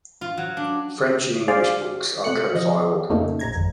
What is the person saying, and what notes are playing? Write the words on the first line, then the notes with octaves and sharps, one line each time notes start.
French and English books are co-filed.
F4
F#3
D4
G#4 C5 D5 F5
C3 A3 F#6 C#7
F3 D#5
F2 A#2 C#3 A3 A#3 D#4
A#1 A#5 G#6
G#1 F2